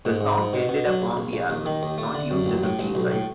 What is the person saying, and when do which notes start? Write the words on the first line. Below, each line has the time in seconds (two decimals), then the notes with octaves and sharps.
The song ended up on the album, not used as a B-side.
0.05 G#2
0.21 G#2
0.37 G#2
0.53 B2
0.69 B2
0.85 F#3
1.02 A#1
1.17 A#1
1.33 A#1
1.50 D#2
1.66 D#3
1.83 D#2
1.98 A3
2.15 D3
2.31 F#2
2.46 A1
2.63 A2
2.79 A1
2.95 B1
3.11 A2